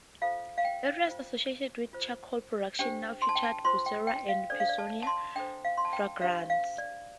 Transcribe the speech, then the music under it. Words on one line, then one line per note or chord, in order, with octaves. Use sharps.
Areas associated with charcoal production now feature "Bursera" and "Pisonia fragrans".
F4 A4 C5 F5
F5
G5
F4 C5
F4 C5
D4 G4 C5 G5
C6
A5
G5
A5
F4 C5 C6
G5
G5
F5
D4 A4 C5 D5
F5
D5
A5
A5
C6
D4 A4 C5 G5
F5
C6
A5
G5
D4 G4 C5 F5
F5
D5